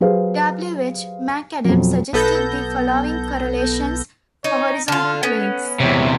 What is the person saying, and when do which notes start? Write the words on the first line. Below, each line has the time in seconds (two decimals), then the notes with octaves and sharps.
W. H. McAdams suggested the following correlations for horizontal plates.
0.01 F#3 G4 G#4 B4 C5 F5
1.65 F2 B2 F#3
2.13 B1 B3 A4 G6 A#6
4.44 D#4 C#5
4.88 D3 F4 F6
5.23 B3 C#4 F#5
5.80 E2 C3 C#5